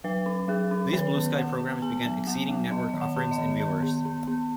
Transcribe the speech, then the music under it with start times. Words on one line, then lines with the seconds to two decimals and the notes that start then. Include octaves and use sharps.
These blue sky programs began exceeding network offerings in viewers.
0.04 F#3 B4
0.26 C#4
0.48 F#3 G#4
0.71 C#4
0.93 D#3 B4
1.15 B3
1.38 B3 F#5
1.60 B3
1.82 B3 G#5
2.05 F#3
2.27 B3 F#5
2.49 F#3
2.71 B3 D#5
2.94 D#3
3.01 F#5
3.16 B3
3.31 D#5
3.38 D#3
3.60 B3
3.83 B3
4.05 B3
4.27 B3